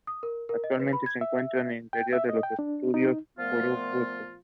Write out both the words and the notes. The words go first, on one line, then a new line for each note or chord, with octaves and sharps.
It has high genetic diversity between and among its named varieties.
D#6
A#4
A#4
D#5
B4
B5
G#6
E5
G5
E5
D#5
G5
D4
D#4
A#2 F3 A3 B3 F4